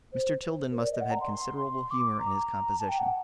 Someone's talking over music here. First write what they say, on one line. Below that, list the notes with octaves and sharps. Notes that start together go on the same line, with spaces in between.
Mr. Tilden must have had considerable humor in his composition.
C5
A#4
D5
D#5
F#5
A#5
C6
D6
A#5
A5
G5
F#5